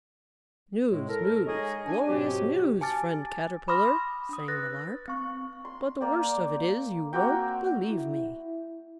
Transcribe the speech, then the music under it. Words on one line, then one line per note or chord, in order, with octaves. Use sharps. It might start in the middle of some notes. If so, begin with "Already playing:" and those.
"News, news, glorious news, friend Caterpillar!" sang the Lark; "but the worst of it is, you won't believe me!"
A2 G#3
A4 A#4
G#3 D#4 G#4 C#5 D#5
D4 G#5
G#2 B2 F#3 C4 F#4 G4
G#5 A5 D6 F6 A6
B5 C6 D6 D#6 F6 A#6
D4 D#6
B4 F#6 A6 A#6
C4 C#6
C6
A#3 D5 G5
A#3 C4 F#4 G5
E4